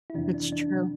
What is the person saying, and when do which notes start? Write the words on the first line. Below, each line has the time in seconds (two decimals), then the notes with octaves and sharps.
It's true.
0.10 E4
0.15 F2 C3 E3 D4
0.34 D4
0.52 D4
0.72 C3 E3